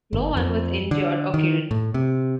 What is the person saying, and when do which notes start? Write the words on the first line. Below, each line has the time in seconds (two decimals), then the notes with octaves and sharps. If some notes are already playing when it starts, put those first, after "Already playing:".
No one was injured or killed.
0.13 G1
0.37 F2
0.91 D3
1.34 D#3
1.71 A2
1.94 C3